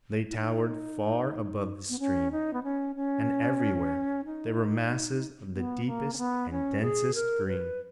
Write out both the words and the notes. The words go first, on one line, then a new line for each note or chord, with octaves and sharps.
They towered far above the stream, and everywhere there were masses of the deepest and densest green.
E4
D#4
B3
C#4
D#4
B3
C#4
C#4
D#4
B3
A#3
C#4
B3
C#4
G#4
A#4
B4